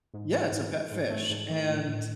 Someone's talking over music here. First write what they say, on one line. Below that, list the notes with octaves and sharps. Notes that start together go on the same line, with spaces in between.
yeah, it's a pet fish, and
G#2
E3
G#2
G#2
G#2
A3
G#2
E3
A2
A2